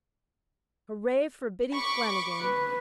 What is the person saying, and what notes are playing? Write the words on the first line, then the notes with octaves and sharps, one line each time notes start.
Hooray for Biddy Flanagin!
B5 C#6 D6
B4